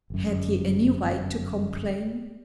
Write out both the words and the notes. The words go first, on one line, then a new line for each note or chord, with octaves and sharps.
Had he any right to complain?
G1 F#2